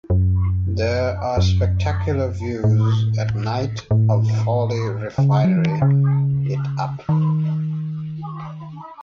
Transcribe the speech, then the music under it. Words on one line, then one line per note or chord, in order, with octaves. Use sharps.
There are spectacular views at night of Fawley Refinery lit up.
F#2
F#2
A2
A2
C#3
F#3
E3
D#3
C#3
D#3